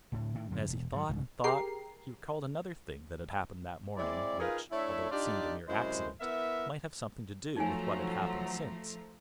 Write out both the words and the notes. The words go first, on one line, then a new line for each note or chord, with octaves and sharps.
And as he thought and thought, he recalled another thing that had happened that morning, which, although it seemed a mere accident, might have something to do with what had happened since.
D1 A2 D3
A2 D#3
F#2 D3 F3
E1
G#2 F#3
C2 G#2 C#3
G4 G#4 A#4 G5 A#5 C7
G#3 C4 E4 D5
D#4 F4 G#4 A#4 B4 F5
A3 D4 E4 C#5 E5
D4 D#4 F4 G4 D5
F#2 C3 G#3 E4 C5
B3 E4 A#4 E5
F3 F#3 A3 D#4 G#5 A#5